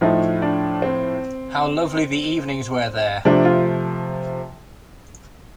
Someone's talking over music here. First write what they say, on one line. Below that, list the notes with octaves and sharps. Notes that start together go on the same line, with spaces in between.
How lovely the evenings were there!
A2 F3 A3 D#4
D4
C4
C3 F3 A3 D4
F4